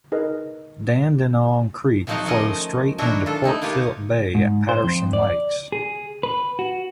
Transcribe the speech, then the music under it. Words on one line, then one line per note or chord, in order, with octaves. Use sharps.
Dandenong Creek flows straight into Port Phillip Bay at Patterson Lakes.
D#4 G#4 A#4 B4 D#5
C3 F3 F#3 D#4 F5 F#5
F3 A3 C#4 A#4 D#5
D#3 F#3 D4 E4 F#4 A#4
F4 A4
A3 D#4 E4
A#3 F4 G4 B4 C#5
G#2
C5
F2
D5
G#4
B4
F#4